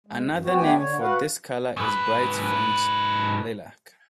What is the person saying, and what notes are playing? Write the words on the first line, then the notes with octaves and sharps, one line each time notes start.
Another name for this color is bright French lilac.
G#3
F#2
B3 C4 F#4
A3 B3 D4 G4 G5 G#5
D3 C#5
F#4 B4 F5 F#5
G#2 B4